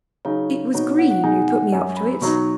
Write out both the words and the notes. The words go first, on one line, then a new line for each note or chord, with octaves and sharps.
It was Green who put me up to it.
C#3 F#3 D#4 C#5
B2 B3 D#4 F#4 C#5
F#5
F#5
B2 G#3 D#4 G#5
F#5
F#2 F#3 C#4 G#5
B5
B2 F#3 D#4 C#6